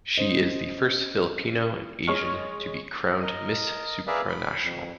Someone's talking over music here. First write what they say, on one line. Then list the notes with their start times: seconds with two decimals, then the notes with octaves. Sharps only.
She is the first Filipino and Asian to be crowned Miss Supranational.
0.18 C#4 C5 D#5
2.07 G#3 C#5 D#5 C#6 F6
3.22 A#4 D#5
4.07 G#4 A#4 B4 D5 E5 F5
4.28 B5
4.62 F2